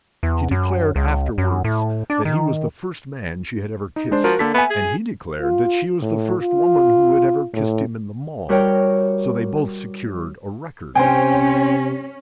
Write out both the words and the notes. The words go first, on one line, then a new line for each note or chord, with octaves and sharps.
She declared afterwards that he was the first man she had ever kissed, and he declared that she was the first woman who had ever kissed him in the Mall, so they both secured a record of a kind.
E2
F#2
C#2
F#2
A2
D4
D#3
D#4
G#3 D4 C5
F3 F#4 A#4
D3 A#3 A4 B6
B3 E5 G#5
G#4
F4
A2
F4
A2
G3 F#4 A#4 C#5 G5
C3 C#4 C5 G5 G#5